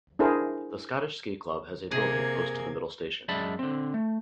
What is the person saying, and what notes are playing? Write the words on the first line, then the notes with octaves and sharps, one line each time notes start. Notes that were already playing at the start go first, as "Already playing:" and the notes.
The Scottish Ski Club has a building close to the middle station.
D4 E4 G#4 A#4 C5
C3 A#3 G#4 G#6
F#2 G#3 D5 E5 A5 B5
D3 C4
A3